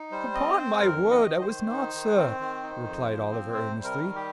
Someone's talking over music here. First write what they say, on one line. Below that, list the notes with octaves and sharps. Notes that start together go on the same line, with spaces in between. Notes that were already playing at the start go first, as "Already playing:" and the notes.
'Upon my word I was not, sir,' replied Oliver, earnestly.
Already playing: D#4
G3 C5
C4 D#5
C4 C5
F2 A#4
D#3
D#5
D#3
C5
D#3
D#4
D#3
C4
D#3
D#4
F2
F3
C4
C3 C5
G3
A#4
D#3
G4